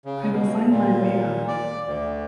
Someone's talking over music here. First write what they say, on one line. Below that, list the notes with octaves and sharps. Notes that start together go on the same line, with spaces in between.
I will find my way out.
C#3
B2
A#2
D5
D2